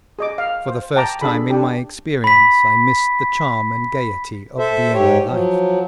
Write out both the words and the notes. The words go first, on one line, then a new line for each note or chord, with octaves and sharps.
For the first time in my experience I missed the charm and gaiety of Vienna life.
G#4 D#5 D6
F5
C5
G5 A5 A#5 D6
D4 G#4 A4 B5
D4 G4
B5 B6
A4 C5 E5
G#2 G4 C#5
F3 F#3